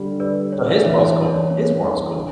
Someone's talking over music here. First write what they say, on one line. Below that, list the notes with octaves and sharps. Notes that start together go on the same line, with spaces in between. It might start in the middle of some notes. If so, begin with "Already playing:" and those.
So his world's cool. His world's cool.
Already playing: D3 G3
G3 B4 D5
D4 C#5
B4 D5
E3 C#5 E5
E3 C#5
D5
C#5
C#4 C#5
E3
D3